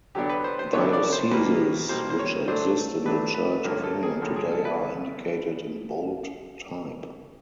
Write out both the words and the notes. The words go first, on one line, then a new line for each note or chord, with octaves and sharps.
Dioceses which exist in the Church of England today are indicated in bold type.
D3 F#3 B3 D4 G4
B4
C5
C5
D3 F#3 B3 D4 C#5
D5
C5
B2 G3 A#3 B4
B2 G3 A#3 C5
C5
C#5
A2 F#3 A3 D4 C5
A2 F#3 A3 D4 B4
B4
G2 D3 F3 A#3 C#4 A#4
A4
G#4
G2 D3 F3 A#3 C#4 A4
G#4
A4
B4